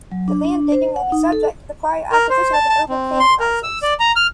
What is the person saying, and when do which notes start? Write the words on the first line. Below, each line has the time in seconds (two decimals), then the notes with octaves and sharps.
The land digging will be subject to the prior acquisition of an urban planning license.
0.12 F#3
0.28 D4
0.45 D4
0.72 C5
0.96 F#5
1.12 D#4
1.32 A4
2.12 A#4
2.30 C5
2.53 A5
2.69 A5
2.89 C4
3.20 C6
3.40 A#4
3.63 E6
3.82 D5
4.00 A#5
4.16 F6